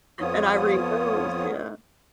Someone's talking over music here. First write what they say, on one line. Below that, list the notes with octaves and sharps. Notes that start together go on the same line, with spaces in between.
and I read those, yeah.
F2 F3 B3 F4 C#5 D#6